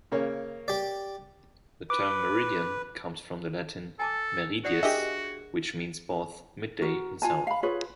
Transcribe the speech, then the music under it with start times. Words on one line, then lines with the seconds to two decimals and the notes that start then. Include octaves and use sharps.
The term "meridian" comes from the Latin "meridies", which means both "midday" and "south".
0.12 C#3 A#3 C#5
0.68 G4 D5
1.90 B4 D6
3.99 A4 G#5 A5 D6
4.65 F#4 D5 F#5 D#6
4.83 D4 G4 G#4 A#4 D#5 E5
6.82 F#4 A#4
7.22 F4 G#5 A5
7.47 F5 B5
7.63 F4 G#4 B4 C#5